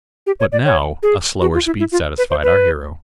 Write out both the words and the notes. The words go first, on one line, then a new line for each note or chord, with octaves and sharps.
But now a slower speed satisfied our hero.
G4
C#5
D5
C#5
G#4
F#4
F4
E4
E4
F4
B4
C5
B4